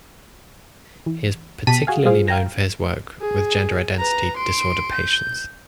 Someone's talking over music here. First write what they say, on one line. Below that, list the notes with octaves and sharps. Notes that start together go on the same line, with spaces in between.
He is particularly known for his work with gender identity disorder patients.
E3
B2 G4 A5 B6 D#7
F#4 G#4 F5
G3 F4 G#4 C5 F5
F5 G5 A#5
G#4
B4 A#5
C6 D7
G6